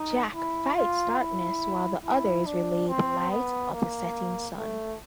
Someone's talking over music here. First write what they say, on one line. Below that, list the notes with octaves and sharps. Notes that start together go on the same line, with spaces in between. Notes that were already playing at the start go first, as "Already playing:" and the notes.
Jack fights Darkness while the others relay the light of the setting sun.
Already playing: D#4
E4
F4
E4
E4
D4
C4
B3
A#3
A3